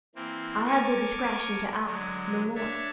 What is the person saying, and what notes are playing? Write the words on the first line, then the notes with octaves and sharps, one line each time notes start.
I had the discretion to ask no more.
E3 A#3 C4
A#4 G#5 A5 C#6 D6
D3 F#3 G#3
D4 C#5 E5 A5